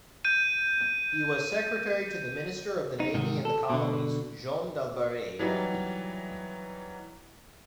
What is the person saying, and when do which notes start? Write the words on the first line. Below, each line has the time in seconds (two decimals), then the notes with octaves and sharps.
He was secretary to the Minister of the Navy and the Colonies, Jean Dalbarade.
0.25 G6 D#7
3.00 D#4
3.14 G#2 C3 D#3
3.45 A4
3.70 B2 D3
5.39 E3 F#3 G3 D#4